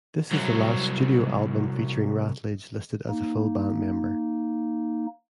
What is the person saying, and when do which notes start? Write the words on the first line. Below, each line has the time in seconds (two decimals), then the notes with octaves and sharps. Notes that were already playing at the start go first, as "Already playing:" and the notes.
This is the last studio album featuring Ratledge listed as a full band member.
0.31 C2 F#3
3.09 A#3 D#4